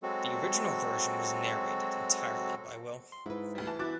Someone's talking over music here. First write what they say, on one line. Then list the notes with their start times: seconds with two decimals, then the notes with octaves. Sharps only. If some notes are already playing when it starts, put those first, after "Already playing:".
The original version was narrated entirely by Will.
0.03 F#3 G#3 C4 F#4 A4
3.12 C6
3.26 G#2 E4 B4
3.55 D2 G3
3.67 E3 A5
3.79 B3 E4 F#4 D6 F#6 A6